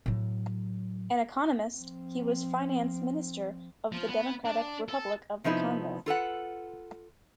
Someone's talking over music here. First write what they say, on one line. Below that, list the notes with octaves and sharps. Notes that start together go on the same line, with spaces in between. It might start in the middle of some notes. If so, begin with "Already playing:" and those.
An economist, he was Finance Minister of the Democratic Republic of the Congo.
A2 F#3
F3 C4
F3
B3
D4
A4
C3 F3 B3 D#4 E4
F4 A4 B4 F#5